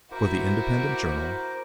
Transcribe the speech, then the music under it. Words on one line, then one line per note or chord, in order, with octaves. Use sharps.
For the Independent Journal.
E4 F#4 A#4 C5 D6